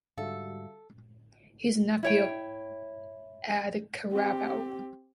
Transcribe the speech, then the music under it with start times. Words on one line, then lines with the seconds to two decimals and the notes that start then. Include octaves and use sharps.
He is the nephew of Aed Carabao.
0.17 G#2 D3 G3 F#4 A4 E5 F5
2.03 E4 C#5 G5
4.11 C4 G4